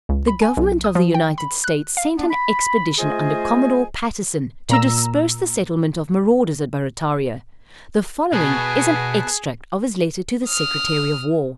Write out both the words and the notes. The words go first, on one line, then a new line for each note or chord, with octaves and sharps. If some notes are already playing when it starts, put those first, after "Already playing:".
The government of the United States sent an expedition under Commodore Patterson, to disperse the settlement of marauders at Barrataria; the following is an extract of his letter to the secretary of war.
C#2
B5
G#5
B1
D#6
F3
G5
B5
F#6
F5
B3 D4
B5
A3 F4 G#4 C5 D#5 G#5
A#2 A#5 E6
B2 G#4 B4 A5
D#6 F6